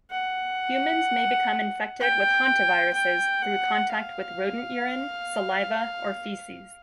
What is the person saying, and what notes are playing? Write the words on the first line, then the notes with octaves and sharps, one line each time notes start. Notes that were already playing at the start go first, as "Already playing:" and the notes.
Humans may become infected with hantaviruses through contact with rodent urine, saliva, or feces.
F#5
G5
G5
F#5
F5